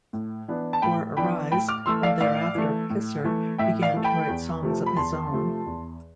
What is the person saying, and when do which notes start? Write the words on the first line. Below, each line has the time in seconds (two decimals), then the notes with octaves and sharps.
For Arise and thereafter Kisser began to write songs of his own.
0.13 A2
0.48 E3 B3 D4
0.73 A5
0.82 A2 G5 B5
1.17 E3 B3 D4 G5 B5
1.51 A2 G5 B5
1.68 D6 F6
1.86 E3 A3 C6 E6
2.03 D5 F5
2.21 A2 D5 F5
2.55 E3 A3
2.90 A2
3.24 E3 A3
3.58 A2 E5 G5
3.82 D5 F5
3.94 E3 A3
4.04 G5 B5
4.29 E2
4.63 C3 F3 A3
4.86 B5
4.97 E2 A5 C6
5.32 C3 F3 A3
5.66 E2